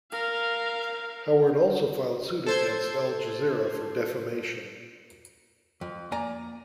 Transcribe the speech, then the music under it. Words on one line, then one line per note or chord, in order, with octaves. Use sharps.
Howard also filed suit against Al Jazeera for defamation.
A#4 F5
A4 C5 G#6
F2
A#3 D5 G#5 A#5